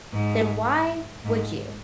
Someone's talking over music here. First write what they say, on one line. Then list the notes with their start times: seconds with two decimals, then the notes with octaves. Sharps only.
then why would you?
0.13 G#2
1.24 G#2